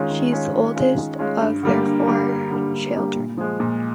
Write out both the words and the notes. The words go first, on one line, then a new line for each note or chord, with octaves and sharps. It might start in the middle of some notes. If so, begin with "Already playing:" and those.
She is the oldest of their four children.
Already playing: D#3 G#3 C#4 F4
D#3
G#3 C#4 F4
D#3
G#3 C#4 F4
D#3
G#3 C#4 F4
G2
D3 G3 A#3
G2
D3 G3 A#3
G2
D3 G3 A#3
G2
D3 G3 A#3
A#2
F3 G#3
A#2